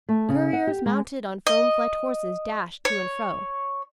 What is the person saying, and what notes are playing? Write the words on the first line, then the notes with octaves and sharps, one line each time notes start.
Couriers mounted on foam-flecked horses dashed to and fro.
A3
C#3
F#5
G4
G#3
D#5
C#5